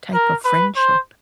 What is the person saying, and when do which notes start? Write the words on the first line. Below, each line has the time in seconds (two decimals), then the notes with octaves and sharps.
type of friendship.
0.14 A#4
0.45 B4
0.76 C5